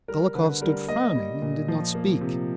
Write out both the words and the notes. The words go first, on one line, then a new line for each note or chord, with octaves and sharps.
Dolokhov stood frowning and did not speak.
G3 A#4
D3 B4
G3 A#4
A#3 D#5
G3
A#2
F3
A#3
C3